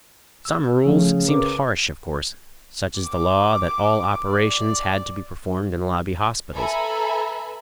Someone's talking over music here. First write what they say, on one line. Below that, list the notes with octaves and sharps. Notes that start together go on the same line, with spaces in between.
Some rules seemed harsh, of course, such as the law that all operations had to be performed in Lobby hospitals.
E6
C#3 E3 F3 A3
A#4 B4 D6
D6
D5
A4 B4 E5 G#5 A#5 B5